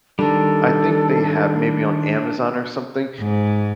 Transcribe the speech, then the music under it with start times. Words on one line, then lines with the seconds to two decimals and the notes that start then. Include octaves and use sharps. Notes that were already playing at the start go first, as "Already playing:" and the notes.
I think they ha maybe on Amazon or something,
0.19 D#3 G3 D4 A4
3.20 G#2